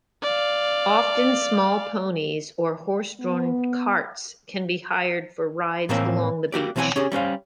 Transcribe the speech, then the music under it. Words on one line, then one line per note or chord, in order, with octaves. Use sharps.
Often small ponies or horse-drawn carts can be hired for rides along the beach.
D5 F5
B3
A2 E3 A#3 C4 E5
A#3 F#4 G4 D5
B1 E3 C4 C#5 F#5 G#5
C#4 G4 G#4
G3 C#4 C5 F5